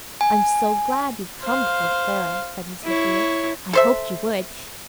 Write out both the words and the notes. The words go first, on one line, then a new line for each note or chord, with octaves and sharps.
'I'm so glad you've come before Clara,' said Mrs. Hewett. 'I hoped you would.
G#5
C5 F5
E4 C#5
A4 C5 E5